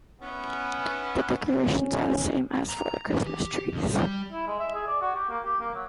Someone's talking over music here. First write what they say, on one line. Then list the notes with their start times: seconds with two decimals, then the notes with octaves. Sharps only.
The decorations are the same as for Christmas trees.
0.20 B3 C#4 E4
1.67 C#4
2.69 A#5
3.11 E3
3.26 G4
3.72 F2
3.89 G3
4.32 E4
4.47 G#3
4.59 E5
4.74 G#4
4.87 D5
5.01 F#4
5.15 G4
5.29 A#3
5.45 G4
5.61 A#3
5.75 F#3